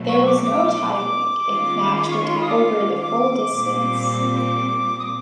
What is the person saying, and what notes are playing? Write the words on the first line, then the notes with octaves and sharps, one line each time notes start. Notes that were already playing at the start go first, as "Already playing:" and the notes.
There was no tie-break if a match went over the full distance.
Already playing: B2 F#3 A3
C#6
D6
D6
D6
D#3 G#3 C#4 F4
D6
C#6
C6
B5
D#6
D6
D6
A#2 G3 C4
D6
D#6
D6